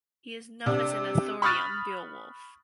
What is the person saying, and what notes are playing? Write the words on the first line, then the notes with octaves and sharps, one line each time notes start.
He is known as an authority on Beowulf.
C3 D4
B5 C#6 D#6 F6 F#6 A6